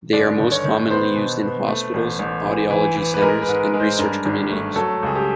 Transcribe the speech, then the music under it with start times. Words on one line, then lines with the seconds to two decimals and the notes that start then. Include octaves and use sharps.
They are most commonly used in hospitals, audiology centers and research communities.
0.13 G1 D5
0.39 D#3
0.52 C#5
0.64 D#3
0.90 B3 C5
1.16 B2
1.42 B3
1.68 A3
1.94 A1
2.19 A1
2.45 E3
2.70 E3
2.96 E3
3.14 B4
3.22 G#3 A#4
3.42 B4
3.48 G#2
3.74 G#3
3.80 C5
3.99 G2 A#4
4.26 G#1
4.51 A3
4.76 F#3 A4
5.03 C#2 G#4
5.15 G4